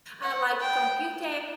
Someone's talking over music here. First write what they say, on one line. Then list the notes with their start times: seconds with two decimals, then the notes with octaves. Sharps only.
Uh, like,, "computer"
0.23 F#5
0.61 G5